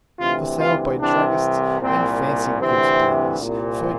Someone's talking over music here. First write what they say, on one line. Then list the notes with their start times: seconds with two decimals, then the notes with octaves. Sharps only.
For sale by Druggists and Fancy Goods Dealers. Ferd.
0.19 D2 C3 E3 F4
0.60 F4
0.99 C2 C3 E3 D4
1.80 C2 A#2 C4
2.60 D2 C3 E3 C4
3.40 C2 A#2